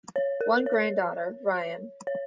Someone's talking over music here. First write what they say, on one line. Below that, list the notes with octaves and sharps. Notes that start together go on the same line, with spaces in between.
One granddaughter, Ryan.
C#5
A#4
C#5
C#5